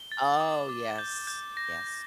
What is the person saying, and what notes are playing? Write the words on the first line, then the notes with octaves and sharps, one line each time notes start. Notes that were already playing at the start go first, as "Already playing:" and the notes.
Oh, yes, yes.
Already playing: G7
A6
D6
D6
G6
G6
A#6
A#6